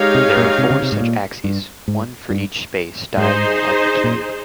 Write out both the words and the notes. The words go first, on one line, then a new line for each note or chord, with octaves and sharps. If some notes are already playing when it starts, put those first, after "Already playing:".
There are four such axes, one for each space diagonal of the cube.
Already playing: G#3 D#4 G4 C#5 F5
C3
A#2
C3
C#3
C3
G#2
A#2
G2
G#2
G2
G#2 D#4 G#4 C5
A#2